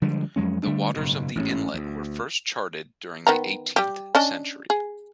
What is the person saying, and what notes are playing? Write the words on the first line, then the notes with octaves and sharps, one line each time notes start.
The waters of the inlet were first charted during the eighteenth century.
D3 F3 G3 G#3
F2 F#3 G#3 C#4
D3 G3 A3 D4
F#1 G#2 B2
A1 G#2 B2 C#4
D2
D#3 B3 A#5
G3 G4
C#4 D4 D#5
G#4